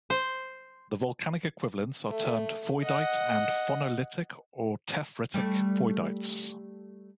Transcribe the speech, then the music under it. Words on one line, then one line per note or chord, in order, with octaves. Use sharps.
The volcanic equivalents are termed "foidite" and "phonolitic or tephritic foidites".
C5
A3
D#5 F#5
G3 A3 D5